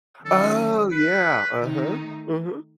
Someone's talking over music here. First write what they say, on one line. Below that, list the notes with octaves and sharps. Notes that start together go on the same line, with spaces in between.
Oh, yeah, uh-huh, mhm.
D#3 F#3 C#4 A4
B4
D#3 A3 D#4